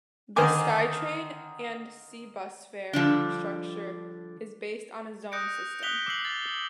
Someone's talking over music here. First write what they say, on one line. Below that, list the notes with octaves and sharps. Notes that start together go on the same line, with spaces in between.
The SkyTrain and SeaBus fare structure is based on a zone system.
D3 D#3 A#4 C5 G#5 D6
D3 F3 G3 D4
D#6 F#6 G6 A#6 C#7 D7
D#6 F#6 B6 F7 G7
D6 E6 C7 F#7
A6